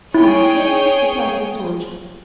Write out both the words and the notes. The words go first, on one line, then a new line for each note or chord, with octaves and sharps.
"Can't say," replied the soldier.
E4 G#4 C#5 G5